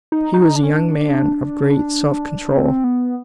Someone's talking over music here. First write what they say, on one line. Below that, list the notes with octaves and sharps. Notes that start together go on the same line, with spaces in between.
He was a young man of great self-control.
D#4
D#4
D4
C#4
D4
C4
B3